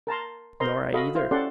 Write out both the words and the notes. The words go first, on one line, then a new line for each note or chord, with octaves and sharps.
"Nor I either."
A#4 A5 A#5 C6
A#4 C5 D#5 A#5 C6
F#4 A4 D#5 F5 B5
E4 C5 F5 C6
C#4 G4 A4 D5 F#5 C6